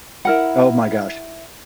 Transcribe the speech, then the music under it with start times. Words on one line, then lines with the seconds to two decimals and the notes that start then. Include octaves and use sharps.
Oh, my gosh.
0.25 E4 A#4 F#5